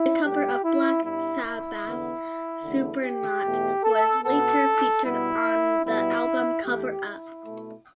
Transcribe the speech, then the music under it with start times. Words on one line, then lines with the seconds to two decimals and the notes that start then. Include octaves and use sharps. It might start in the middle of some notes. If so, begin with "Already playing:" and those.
The cover of Black Sabbath's "Supernaut" was later featured on the album "Cover Up".
Already playing: E4
0.23 A2 G3 B3 G4
0.63 E4
1.03 G2 G3 B3 E4
1.44 E4
1.84 E2 D3 B3
2.63 E2 D3 A3
3.03 G4
3.44 E2 B2 A3
3.84 A4
4.24 B2 B3 A4
5.04 B2 G3 B3 E4
5.85 B2 G3 B3 E4
6.64 E2 E3 A3 G4
7.06 E4
7.46 B2 A3